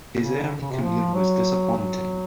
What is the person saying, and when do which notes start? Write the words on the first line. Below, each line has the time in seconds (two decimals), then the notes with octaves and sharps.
His early career was disappointing.
0.19 C#3
0.61 C#3
0.72 C3
0.82 F3
1.14 F#3
1.79 F#3